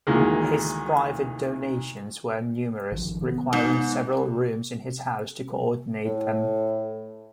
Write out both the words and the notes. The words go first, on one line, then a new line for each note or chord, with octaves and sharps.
His private donations were numerous, requiring several rooms in his house to coordinate them.
D2 A#2 D#3 E3 G#3 A#3
G#1 D#3 F3
B3
G#2
A2